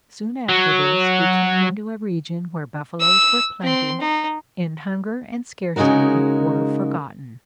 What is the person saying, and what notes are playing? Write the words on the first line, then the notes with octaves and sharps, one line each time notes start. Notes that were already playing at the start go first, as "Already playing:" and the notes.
Soon after this, we came into a region where buffaloes were plenty, and hunger and scarcity were forgotten.
F#3
E6
C4 C6
D#4
C#3 G#3 D#4 F#4 A#4